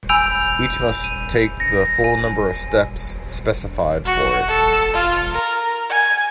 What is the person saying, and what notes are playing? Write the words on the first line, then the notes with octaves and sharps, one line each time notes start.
Each must take the full number of steps specified for it.
G#5 B5 E6 G6 D7 F7
D#7
A#6 C#7
G#5
F#4
A4
F4
A#4
G#5